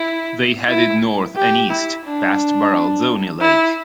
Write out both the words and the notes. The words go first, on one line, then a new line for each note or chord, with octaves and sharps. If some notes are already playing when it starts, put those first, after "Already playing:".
They headed north and east past Baralzone Lake.
Already playing: E4
E4
G4
E4
D4
E4